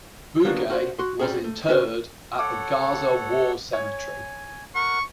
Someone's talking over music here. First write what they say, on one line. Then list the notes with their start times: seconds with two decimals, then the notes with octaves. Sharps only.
Boughey was interred at the Gaza War Cemetery.
0.45 F3 F#3 A#3 B3 D4
0.69 C#4 F#4 C5
0.99 F#4 C6
1.19 G3 C4 C#4 F#4 G#4
1.44 A3
1.69 C#4 F#4 B4 C5
2.39 A4 C#5 F#5 D6
3.73 C#5 G#5
4.75 A#4 F#5 C#6